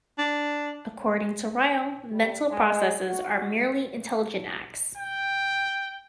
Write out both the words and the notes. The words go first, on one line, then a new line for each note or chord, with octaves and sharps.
According to Ryle, mental processes are merely intelligent acts.
D4
G3
G#3
F#4
G5